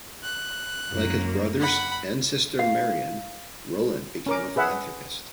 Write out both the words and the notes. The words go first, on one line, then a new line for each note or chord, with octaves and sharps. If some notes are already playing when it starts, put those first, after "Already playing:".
Like his brothers and sister Marion, Rolland became a philanthropist.
F#6
F#2 A#3
F#5 B5
F5
C#4 A#4 D6
G#4 B4 E5 F#5